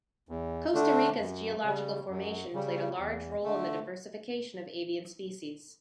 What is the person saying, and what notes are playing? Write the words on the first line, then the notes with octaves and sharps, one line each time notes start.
Costa Rica's geological formation played a large role in the diversification of avian species.
E2
D3 A3 D4
F#2
C#3 G3
F#2
C#3 G3
E2
D3 A3